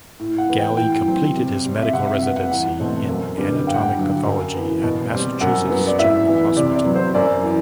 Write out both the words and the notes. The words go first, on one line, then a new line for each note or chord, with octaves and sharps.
Galli completed his medical residency in anatomic pathology at Massachusetts General Hospital.
A2
F#5
E3 B3
G5
A2 G5
F#3 C4
C3
G3 C4
E5
C3 F#5
E5
G3 B3 F#5
F#5
E2 F#5
B2 A3 C4
F#2
D3 G3 B3
G2 G5
F#5
G5
D3 F#3
F#2
E3 B3
B2
G3 C4
F#2 F#5
F#3 B3
D5
A2 E5
E3 B3
C3 D5
D5
F#3 B3
C5
F#2 D5
E3